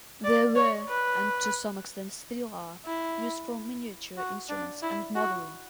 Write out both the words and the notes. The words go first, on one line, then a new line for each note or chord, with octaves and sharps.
They were, and to some extent still are, used for miniature instruments and modelling.
D5
C#5
B4
E4
F#4
D4
E4
F#4